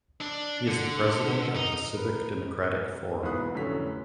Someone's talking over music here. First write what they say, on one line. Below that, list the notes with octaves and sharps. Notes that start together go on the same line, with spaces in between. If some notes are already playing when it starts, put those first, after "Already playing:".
He is the president of the Civic Democratic Forum.
D4
D3
D#4
A#4 B4
B1 G#2 E3 B3 D#6 F#6
F1 F#2 A2 D3 C#4 B6